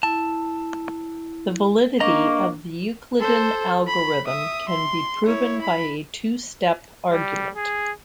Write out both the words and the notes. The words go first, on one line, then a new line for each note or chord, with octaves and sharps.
The validity of the Euclidean algorithm can be proven by a two-step argument.
E4 A5
A#3 D4 D#5 A#5 C#6
A4 C5
B5
E5 D#6
C6
E4 C#5
B5
G3
G#4